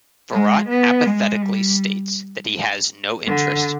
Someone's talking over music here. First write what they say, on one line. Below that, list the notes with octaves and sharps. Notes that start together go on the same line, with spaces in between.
Virat apathetically states that he has no interest.
G#3
B3
G#3
G3
D3